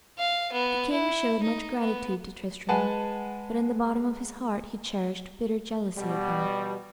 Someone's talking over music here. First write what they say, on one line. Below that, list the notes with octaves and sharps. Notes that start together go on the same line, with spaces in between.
The king showed much gratitude to Tristram, but in the bottom of his heart he cherished bitter jealousy of him.
F5
B3
E4
D#4
B3
G#3 B4 F#5 G#5 A5
B2 G3